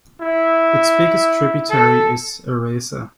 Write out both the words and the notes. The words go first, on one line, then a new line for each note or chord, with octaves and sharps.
Its biggest tributary is Aresa.
E4
A4